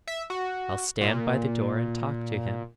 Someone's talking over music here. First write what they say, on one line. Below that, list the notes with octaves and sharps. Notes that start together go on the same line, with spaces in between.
'I'll stand by the door and talk to him.'
E5
F#4
A#2